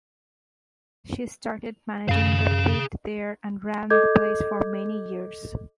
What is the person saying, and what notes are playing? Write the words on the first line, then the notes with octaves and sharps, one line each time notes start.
She started managing the pit there and ran the place for many years.
F#2 G#4 F5
A4 D#5 D6 G6 G#6